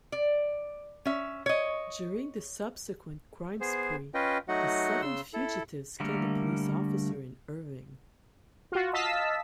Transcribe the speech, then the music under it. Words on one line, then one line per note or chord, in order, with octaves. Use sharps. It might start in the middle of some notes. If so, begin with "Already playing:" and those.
During the subsequent crime spree, the seven fugitives killed a police officer in Irving.
D5
C#4 E5
C#5 D#5
B3 G#4 C5
C#4 F4 B4 D#5 G5
F#3 A3 D#4 F#4 D#5 F#5
C#3 C6 E6
E4 A4
D3 G3 A3 A#3 A#4
F4 F#4
D#5 F5 A5 E6 B6